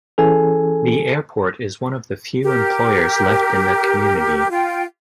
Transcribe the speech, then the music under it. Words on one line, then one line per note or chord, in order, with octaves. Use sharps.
The airport is one of the few employers left in the community.
E3 C#4 G#4 A4 G#5
G4 A#4
F4 G5